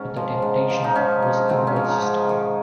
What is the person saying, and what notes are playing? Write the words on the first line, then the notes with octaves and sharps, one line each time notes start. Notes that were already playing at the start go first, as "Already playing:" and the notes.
But the temptation was irresistible.
Already playing: G#2 C#4
F3
G#2
F3
D#4
G#2 C#4
F3
G#2 C4
C#4
F3
D#4
G#2
D#3